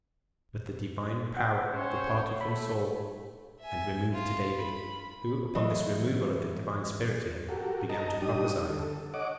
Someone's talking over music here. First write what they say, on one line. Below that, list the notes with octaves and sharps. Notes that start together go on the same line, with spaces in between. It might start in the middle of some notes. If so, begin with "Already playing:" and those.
But the Divine Power departed from Saul, and removed to David; who, upon this removal of the Divine Spirit to him, began to prophesy.
F#5 G5
C#4 C5 C#5
A3 B5
E5 G#5
F4
B5
E3 F#3 D#5
F#4 G4 A4 A#4
D#5 A5 A#5
G2 D4 D#4 G4 D#6
D3 A4
C#5 D#5 F#5 D6